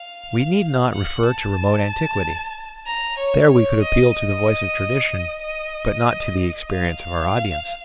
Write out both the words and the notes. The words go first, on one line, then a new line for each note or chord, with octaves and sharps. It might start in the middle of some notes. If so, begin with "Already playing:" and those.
We need not refer to remote antiquity: there we could appeal to the voice of tradition, but not to the experience of our audience.
Already playing: F5
F#5
A5
A#5
C#5
C#5
D#5
D#5
D#5
F5